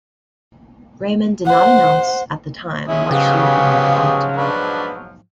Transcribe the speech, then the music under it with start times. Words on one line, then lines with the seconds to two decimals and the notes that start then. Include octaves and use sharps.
Raymond did not announce at the time what she would be moving on to.
1.45 C5 F#5
2.88 G#3 C#4 E4 E5 D#6
3.11 G#2 C#3 F3 F#3 B3 G4 G#4 F5
4.36 D4 B4